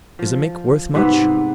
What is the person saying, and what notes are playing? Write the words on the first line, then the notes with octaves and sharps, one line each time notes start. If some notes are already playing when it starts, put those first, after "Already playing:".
"Is a mink worth much?"
F3
G#2 C3 B3